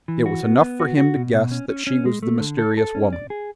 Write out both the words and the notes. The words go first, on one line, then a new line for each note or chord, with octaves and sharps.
It was enough for him to guess that she was the mysterious woman.
E3
F#4
B3
B3
F#4
F#4
B2
B2
C#4
C#4
C#4
G#3
A3
D3
A4
A4
C#4
D5
G#4